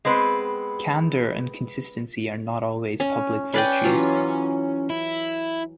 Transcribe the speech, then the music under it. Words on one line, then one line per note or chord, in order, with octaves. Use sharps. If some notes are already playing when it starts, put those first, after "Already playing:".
Candor and consistency are not always public virtues.
G#3 B3 C4 B4
C#4
C#4 B4 C#5 D5 G5
E3 F#3 F4
E4